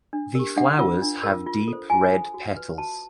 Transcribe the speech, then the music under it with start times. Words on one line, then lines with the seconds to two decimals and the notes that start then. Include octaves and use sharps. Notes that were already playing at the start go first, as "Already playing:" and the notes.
The flowers have deep red petals.
0.13 D4
0.35 G4 A#4
0.57 D4 F#5
0.79 F4 A#4
1.02 D4
1.24 F4 A#4
1.46 F4
1.68 A4
1.73 C5
1.90 F4 G#5
2.12 A4 C5
2.34 F#4
2.57 B4
2.78 F#4 A5